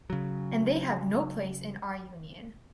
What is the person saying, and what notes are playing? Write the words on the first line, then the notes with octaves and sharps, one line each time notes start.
And they have no place in our Union.
C#3 F#3